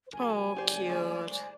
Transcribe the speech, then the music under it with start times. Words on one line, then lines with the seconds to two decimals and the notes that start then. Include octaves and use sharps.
Oh, cute,
0.13 F#1 A#4 G#5
0.57 G4 C5 D5
0.89 A3 G#4 C#5
1.27 G#3 C5